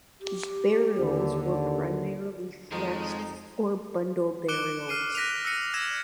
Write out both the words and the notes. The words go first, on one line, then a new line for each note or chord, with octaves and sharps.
Burials were primarily flexed or bundle burials.
G4
D#2 D3
F2 D#3 F3 G#3 D#4 F#4
D6 F#6 C#7 D7 E7 G7
F6 C7 D#7
F#6 A#6 B6 D7 D#7 F7
E6 F#6 A#6 C#7 D#7
E6 F6 G#6 A#6 E7 F7